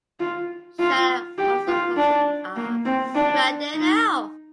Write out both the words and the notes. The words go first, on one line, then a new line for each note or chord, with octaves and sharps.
Shannon also hosted a Where are they now?
F4
F4
G4
F4
D4
A#3
C4
D4
D#4